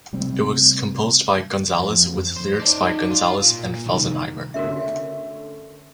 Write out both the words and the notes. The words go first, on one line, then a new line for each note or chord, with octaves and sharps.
It was composed by Gonzalez with lyrics by Gonzalez and Felsenheimer.
C3 G3 A3 C4
F2
C5
D#4 D5
F4
A#2
C2 D#3
D3 A3 C#4 F#4 A#4 E5